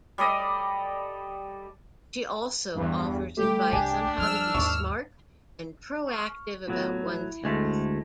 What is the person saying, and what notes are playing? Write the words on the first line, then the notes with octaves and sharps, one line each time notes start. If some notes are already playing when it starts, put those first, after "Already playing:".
She also offers advice on how to be smart and proactive about one's health.
G3 A4 D5 D#5
E2 G2
G3 A3 G4
C2 G2 D4 G#5
F2 G3 E6 F6
D#2 G#2 C#6
C#6 F6
A2 F#3 B3 F4
E4
D2 G#3 A3